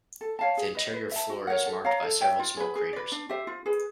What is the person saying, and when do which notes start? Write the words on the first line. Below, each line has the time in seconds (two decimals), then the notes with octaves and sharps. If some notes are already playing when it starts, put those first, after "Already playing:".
The interior floor is marked by several small craters.
0.21 A4
0.39 C#5 F5 A5
0.57 G#4
0.75 B4 D#5
0.94 B4
1.11 E5 A5
1.29 F#4
1.47 A#4 C#5 F#5
1.66 A4
1.84 C#5 F5 A#5
2.03 A4
2.21 C#5 E5 G5
2.39 F4
2.57 G#4 B4
2.75 G#4
2.93 B4 D5
3.12 D4
3.29 G4 C5 E5
3.47 F4
3.66 G#4 B4